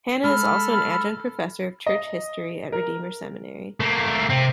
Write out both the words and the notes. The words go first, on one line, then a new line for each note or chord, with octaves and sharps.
Hannah is also an adjunct professor of Church History at Redeemer Seminary.
G#3 A4 B5 F6
D#5
A#4
A3 A#3
C3 C4